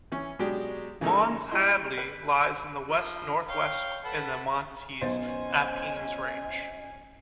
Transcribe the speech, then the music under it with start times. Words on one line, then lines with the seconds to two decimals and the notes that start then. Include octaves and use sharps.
Mons Hadley lies to the west-northwest in the Montes Apenninus range.
0.12 E3 C#4
0.39 B2 F#3 G#3 D4 G4
1.01 C#3 E3 G#3 D#4 A4 A#4
1.51 G3 E4 D#5 C6
1.98 B4
2.87 F3
3.48 C#5 F5 G5
4.05 A4 B4 F#5
5.01 B1 B3 C#4 C5 D#5 G#5 A6